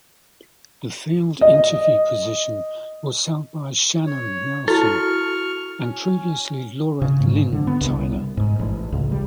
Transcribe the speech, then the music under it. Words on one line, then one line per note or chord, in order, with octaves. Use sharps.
The field interviewer position was held by Shannon Nelson, and previously Laura-Lynn Tyler.
D#5
C#5
E4 F#4 A4 A5 C#6 F6
C#4
C#3
G#2
D3
B3
C2
G#2
A1
C#2
G3